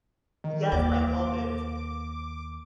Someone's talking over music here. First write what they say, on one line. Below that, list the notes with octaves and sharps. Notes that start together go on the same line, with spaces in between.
Yes, I love it.
D#3
D#2 D6